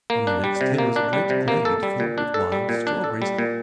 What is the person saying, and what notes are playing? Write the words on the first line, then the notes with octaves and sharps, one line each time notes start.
On the next hill is a great glade filled with wild strawberries.
A#3
D4
G3
C3
A#3
D4
G3
C3
A#3
A4
G3
A#2
D4
A4
G3
A#2
D4
A4
G3
A#2